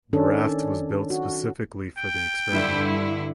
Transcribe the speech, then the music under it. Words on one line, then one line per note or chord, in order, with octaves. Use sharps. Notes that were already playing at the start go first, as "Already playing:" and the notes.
The raft was built specifically for the experiment.
D#3 C#4 D4 A4
F#4
G5
G2 D3 E4